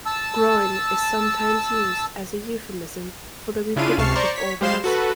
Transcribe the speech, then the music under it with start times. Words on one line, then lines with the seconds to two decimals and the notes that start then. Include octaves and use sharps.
'Groin' is sometimes used as a euphemism for the reproductive organs.
0.06 A5 E6
3.76 C#3 D4 E4 F4 F5 D#7
3.98 C#2 C3 A5 C#6 F6 C7
4.15 C5 D5 A#5 C6 C#6
4.36 C#5 B6
4.61 G3 G#3 C5 F5 C6 E7
4.84 F#4 A4 B4